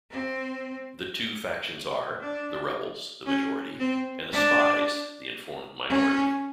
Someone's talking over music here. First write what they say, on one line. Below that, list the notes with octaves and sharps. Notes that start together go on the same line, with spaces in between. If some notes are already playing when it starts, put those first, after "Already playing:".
The two factions are: the Rebels, the majority; and the Spies, the informed minority.
C4
D4
C#4
C4
D4
C#4